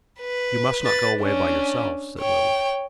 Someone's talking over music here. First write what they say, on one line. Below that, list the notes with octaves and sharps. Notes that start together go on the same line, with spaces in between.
"You must not go away by yourself," said Lily.
B4
B4 A6
C#4 D4
C#5 G5